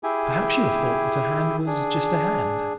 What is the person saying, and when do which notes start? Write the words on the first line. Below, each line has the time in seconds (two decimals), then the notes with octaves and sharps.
Perhaps you have thought that a hand was just a hand.
0.03 E4 G4 G#4 G#5
1.66 D4 G#4